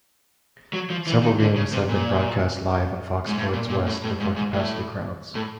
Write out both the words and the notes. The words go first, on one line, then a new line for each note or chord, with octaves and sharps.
Several games have been broadcast live on Fox Sports West before capacity crowds.
F#3
F3
E3
D#3
D3
C#3
C3
A#2
G#2
A2
A#2
A#2
A2
A2
G#2
G#2
A2
A2